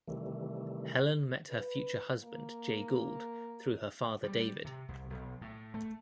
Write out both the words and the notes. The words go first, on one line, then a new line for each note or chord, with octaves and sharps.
Helen met her future husband Jay Gould through her father David.
C3 D#3 E3 G3 A3
B4
A#3
G3
C3
C2
B1
A2
A3